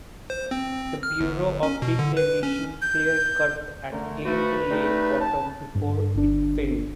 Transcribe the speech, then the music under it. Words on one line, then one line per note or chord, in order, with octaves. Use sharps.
The Bureau of Reclamation clear cut and cleaned the lake bottom before it filled.
C5
C4
F6
G1
C#4
B2
D3
B4
C#4
G6
D3 A3 A#4
F3 A3 F#4 B4
G3 A3 D#4
A5
G2
G1 D4